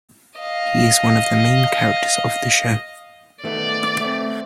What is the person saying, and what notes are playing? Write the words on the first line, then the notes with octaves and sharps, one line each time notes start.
He is one of the main characters of the show.
D#5 F5
D#3 A3 B3 D5
A3 C4